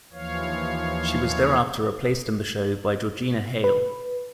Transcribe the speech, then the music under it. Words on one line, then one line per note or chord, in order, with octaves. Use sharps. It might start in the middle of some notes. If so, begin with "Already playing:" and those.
She was thereafter replaced in the show by Georgina Hale.
D#2 E3 F3 C#5 F5
B4